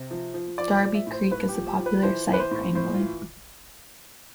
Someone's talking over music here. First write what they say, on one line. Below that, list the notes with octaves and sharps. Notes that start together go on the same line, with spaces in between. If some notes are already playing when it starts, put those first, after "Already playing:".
Darby Creek is a popular site for angling.
Already playing: C3
F3
F3
F3 D5
D5
F3
E5
A2
C5
A2 B4
G4
F3
G4
F3
B4
E3 C5
E3
B4
C5
A2
A2 C5
F4
E3